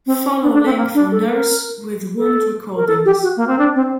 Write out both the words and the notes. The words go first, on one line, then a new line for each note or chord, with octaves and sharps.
Follow link for Nurse with Wound recordings.
C4
D4
D4
C4
A#3
D4
A4
A#4
A4
A#4
A4
G4
F#4
A#3
C4
D4
C4